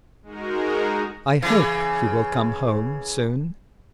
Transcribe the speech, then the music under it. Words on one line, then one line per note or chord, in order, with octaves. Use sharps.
I hope you will come home soon.
G#3 D#4 F#4 A#4
C#3 E3